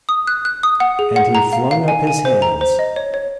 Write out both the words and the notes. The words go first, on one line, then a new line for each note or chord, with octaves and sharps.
And he flung up his hands.
D#6
F#6
F#6
D#6
F#5
G#4
F#5
A#5
F5
F5
G#5
G#5
C5
A#5
C5
D#5
C#5
C#5